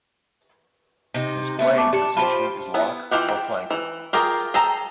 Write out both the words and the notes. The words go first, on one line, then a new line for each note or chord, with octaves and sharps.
His playing position is lock or flanker.
C3 D#4
A3 B3 C#4
A5 D6
D4 G4 C#7
F4 G4 C5 A5 B5
B3 E4
E3 F4 G4 F#5
G5
E3
F4 G4 G#4 A#4
G#4 A4 G5 A#5